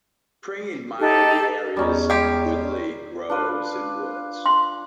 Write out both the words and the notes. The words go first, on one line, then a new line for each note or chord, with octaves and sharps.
Pring admired the area's goodly groves and woods.
D#4 G4 A4
E2 G3 C#4 D#4
G#3 G4
D4 F4 B4
C6